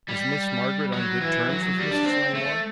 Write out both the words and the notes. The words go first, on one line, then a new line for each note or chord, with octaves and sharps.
"Was Miss Margaret on good terms with Mrs. Langmore?"
G3
F#3
E3
F#3
F#3
G3
D4
C4
A3